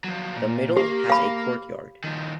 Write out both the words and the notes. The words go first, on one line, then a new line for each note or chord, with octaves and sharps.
The middle has a courtyard.
F3 F#3
A#2
A#3 G4
F5 B5
D#3 F3